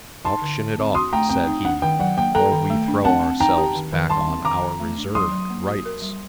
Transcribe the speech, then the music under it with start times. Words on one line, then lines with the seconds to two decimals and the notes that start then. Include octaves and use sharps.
"Auction it off," said he, "or we throw ourselves back on our reserved rights."
0.25 D#4 A5 C6
0.42 D3
0.59 A3
0.78 C4
0.95 F#4 C6 D#6
1.13 A3 G5 A#5
1.29 C4 G5
1.47 D#4
1.65 D4 F#5
1.82 D#3 G5
1.99 F#3 F#5
2.17 A#3 G5
2.35 A4 G5 A#5
2.52 D#3
2.70 A3
2.88 D4
3.04 C4 F#5 A5
3.23 C4
3.40 D#4 G5 A#5
3.58 G4
3.75 D#3
3.93 D#3
4.09 G3 A5 C6
4.27 C4
4.45 D#3 A#5 D6
4.63 D#3
4.80 A3
4.97 D4
5.15 F#3 C6 D#6
5.32 F#3
5.50 A#3
5.67 F#4
5.85 A#4
6.02 G3